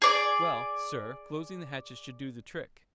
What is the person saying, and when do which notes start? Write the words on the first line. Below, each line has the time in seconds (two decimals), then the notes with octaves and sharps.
"Well, sir, closing the hatches should do the trick."
0.02 G#4 D5